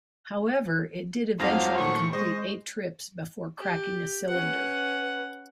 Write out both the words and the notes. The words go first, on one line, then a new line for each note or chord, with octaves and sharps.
However, it did eventually complete eight trips before cracking a cylinder.
F2 G#2 F3 F#3 F5 A#6
A#2 D#3 A3 C#6
G#3 C5 D#5 C#6
G4
C#4 B4 F#5